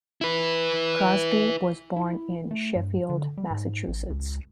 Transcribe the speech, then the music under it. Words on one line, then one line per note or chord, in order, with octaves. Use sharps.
Crosby was born in Sheffield, Massachusetts.
E4 B4
E4
A3
G2
D3
G3
G#2
A1
C#2